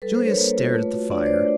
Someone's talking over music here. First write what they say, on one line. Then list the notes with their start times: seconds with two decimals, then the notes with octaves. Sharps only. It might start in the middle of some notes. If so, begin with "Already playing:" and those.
Julius stared at the fire.
0.02 G3 A4 B4
0.15 A#4 C5
0.21 D4
0.26 B4 C#5
0.38 A#3
0.57 F4
0.75 A3
0.93 F#4
1.10 D4 D5
1.18 C#5
1.26 A3 C5 D5